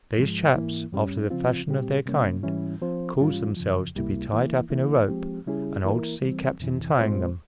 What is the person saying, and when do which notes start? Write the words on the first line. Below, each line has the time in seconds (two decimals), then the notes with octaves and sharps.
These chaps, after the fashion of their kind, caused themselves to be tied up in a rope, an old sea-captain tying them.
0.17 G#2 F3 G#3
0.54 G#2 E3 A#3 E4
0.93 G2 G3 C#4
1.30 C#3 F3 C4 F4
1.68 A#2 G3 C4 G4
2.06 C3 G3 A#3 C#4
2.43 G#2 E3 G3 C#4 E4
2.82 F3 C4 F4 C5
3.19 G#2 E3 G3 C#4 F4
3.57 F2 C#3 F3
3.95 C#2 C3 G3 A#3 E4
4.33 E3 A#3 E4
4.70 E3 A#3 E4
5.08 F3 G#3 C4 G4
5.46 C#3 G3 C#4 E4 G#4
5.84 E3 A#3 E4 A#4
6.22 E3 G3 C4
6.60 F2 C3 E3
6.98 A#2 G#3 C4 F4 C5